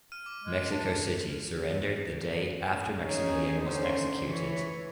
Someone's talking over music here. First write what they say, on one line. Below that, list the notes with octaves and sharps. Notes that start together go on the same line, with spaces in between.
Mexico City surrendered the day after Maximilian was executed.
F6 D#7
D6
G#3
D4
D#3 C#4 D#4 G#4
D3 D#3 C#4 C5
E3 C#5